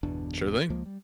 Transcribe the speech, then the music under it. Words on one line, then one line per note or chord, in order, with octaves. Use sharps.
Sure thing.
G1 E2 B2 D4
C#2 F3 G#3 A#3
G3